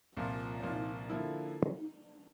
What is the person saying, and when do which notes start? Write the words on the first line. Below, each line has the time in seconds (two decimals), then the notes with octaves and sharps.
Pant mostly wrote in Sanskritized Hindi.
0.17 C2 A#2 F3
0.62 C2 A#2 F3
1.10 D3 F3 A#3 E4